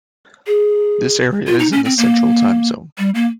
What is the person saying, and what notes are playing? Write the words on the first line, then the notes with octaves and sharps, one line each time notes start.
This area is in the Central Time Zone.
G#4
F4
D#4
C#4
C4
A#3
G3
A#3